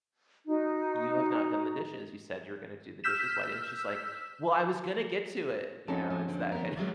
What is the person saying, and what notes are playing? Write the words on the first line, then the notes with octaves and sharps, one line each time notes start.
you have not done the dishes, you said you were gonna do the dishes. Why didn't" She's like, "Well, I was gonna get to it." You know? It's that kind
D#4 F#4
E6 F6 G6 B6 E7
F2 C#4 D#4 A4
F3
D3 C4
B3 A#4
D#3
E3 F#3 G#3